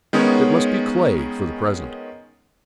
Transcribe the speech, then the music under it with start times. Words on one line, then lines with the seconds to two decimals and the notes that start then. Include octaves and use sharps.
It must be clay for the present.
0.13 D#3 G#3 B3 C#4 G#4 C#5